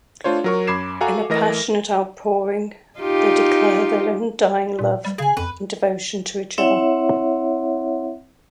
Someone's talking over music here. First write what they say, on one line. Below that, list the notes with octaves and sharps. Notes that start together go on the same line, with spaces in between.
In a passionate outpouring they declare their undying love and devotion to each other.
A3 D4 F4 C5 C#5
F#3 A#4 C#6
F#2 B5 D6 G#6 C7 E7
F#4 A4 F5 F#5 G#5 A#5
E3 A3 A#4 D#5 A#6
D#4 F4 G4
A#2
G3
C#3 G#4 G#5
F2 B4
C4 E4 C#5 E5 F#5